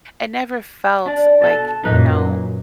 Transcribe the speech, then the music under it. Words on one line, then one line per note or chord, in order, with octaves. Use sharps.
It never felt like, you know
D4 D5
B2 A4 A5
F#2 A#2 D#4 B4 D#5